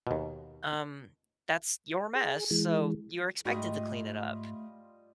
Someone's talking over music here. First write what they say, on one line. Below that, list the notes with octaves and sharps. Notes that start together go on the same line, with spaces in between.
Um, that's your mess, so you're expected to clean it up."
D#2 B2
G#4
E3 G#3
G#2 G3 A3 F4 F#4 G#4 D#5 B5